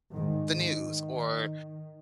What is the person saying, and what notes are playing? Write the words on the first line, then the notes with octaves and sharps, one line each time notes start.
the news" or,
G#2 D#3
D#3